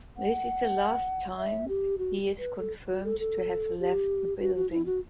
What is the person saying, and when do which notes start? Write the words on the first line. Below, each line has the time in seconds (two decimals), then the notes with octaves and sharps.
This is the last time he is confirmed to have left the building.
0.17 F#5
1.38 E5
1.68 G4
1.98 F#4
2.39 B4
2.59 A4
2.89 F#4
3.04 A4
3.20 A4
3.80 G4
4.40 F#4
4.55 F#4
4.71 E4
4.86 F#4